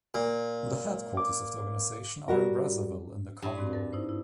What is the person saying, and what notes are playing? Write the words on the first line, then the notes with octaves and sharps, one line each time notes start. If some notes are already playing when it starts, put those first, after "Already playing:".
The headquarters of the organisation are in Brazzaville in the Congo.
A#2
D6
G3 F#4 A#4
G2 G5 B5
G#2 C4 F#4
A#4 A6
D#4 E4 C5
E4